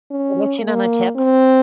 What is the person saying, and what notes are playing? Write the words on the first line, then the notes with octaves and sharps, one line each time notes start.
let you in on a tip.
C#4
A#3
C4